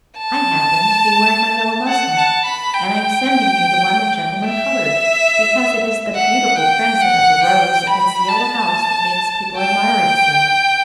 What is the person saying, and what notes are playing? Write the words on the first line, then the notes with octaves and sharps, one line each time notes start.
I happened to be wearing my yellow muslin, and I am sending you the one the gentleman colored, because it is the beautiful crimson of the rose against the yellow house that makes people admire it so.
A5
F#5
A5
B5
G5
E5
F#5
G5
F#5
G5
B5
A5
G5